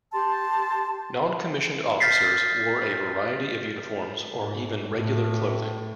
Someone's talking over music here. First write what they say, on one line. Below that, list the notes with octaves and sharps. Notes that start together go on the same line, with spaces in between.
Non-commissioned officers wore a variety of uniforms, or even regular clothing.
G4 A5 C6
F6 G6 A6 B6 C7
G#2
A2